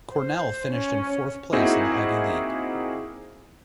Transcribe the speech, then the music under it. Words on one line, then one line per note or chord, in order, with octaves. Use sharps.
Cornell finished in fourth place in the Ivy League.
C5
C#4
A#3 C4 D#4 E4 F#4 G#4